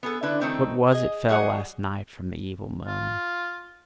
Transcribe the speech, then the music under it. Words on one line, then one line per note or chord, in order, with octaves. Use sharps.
What was it fell last night from the evil moon?
B3 G#4 A4
D3 D4 E4 B4
D#3 F3 A3 C4 D#4 E4
G#4 D#5
F#3 G3 G#4 D#5 F#5
F4